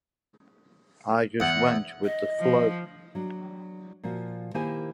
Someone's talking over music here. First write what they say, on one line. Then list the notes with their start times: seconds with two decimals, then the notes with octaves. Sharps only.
I just went with the flow.
1.40 E2 F#5
2.04 D#5
2.40 F3
3.15 F#3 D4
4.03 A#2 F3 F#4
4.54 D#3 A#3 E4 G4 C5 G#5